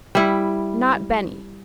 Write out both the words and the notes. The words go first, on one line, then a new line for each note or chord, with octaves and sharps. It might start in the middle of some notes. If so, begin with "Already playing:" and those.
Not Benny!
G3 E4